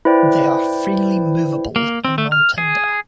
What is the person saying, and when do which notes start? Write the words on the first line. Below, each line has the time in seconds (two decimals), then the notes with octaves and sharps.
They are freely movable and nontender.
0.05 E4 B4 C5 D5 G5
1.76 A#3
2.05 C4
2.18 A3
2.32 F6
2.58 G#4